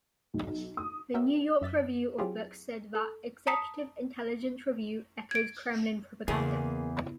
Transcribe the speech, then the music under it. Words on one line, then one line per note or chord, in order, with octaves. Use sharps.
The New York Review of Books said that "Executive Intelligence Review" "echoes Kremlin propaganda".
B1
D#6
B3 F#4 A#4 C#5 E5 G5
F#2 E5 A6 B6
F#3 C4 E4 F4 G4 G#4
A4
A5 A#5 D#6 B6 C#7
G#6 D7
E2 C#3 A#3 G#4